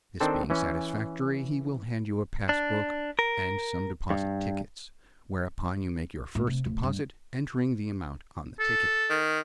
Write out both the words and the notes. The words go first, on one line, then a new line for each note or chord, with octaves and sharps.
This being satisfactory, he will hand you a passbook, and some deposit tickets, whereupon you make your first deposit, entering the amount on the ticket.
D#3 C4 D4 A4 C5
E3 C#4
D4
A#4
G2
A2
C3
D1
G2
A4
D#3